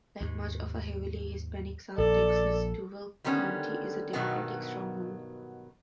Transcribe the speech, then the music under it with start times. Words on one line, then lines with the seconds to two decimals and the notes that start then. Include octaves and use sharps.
Like much of heavily Hispanic South Texas, Duval County is a Democratic stronghold.
0.21 D#2 G#2
1.98 A#1 A4 D5
3.24 D3 D#3 G3 B3 C#4
4.13 G2 B2 D#3 F#3 B3 F#4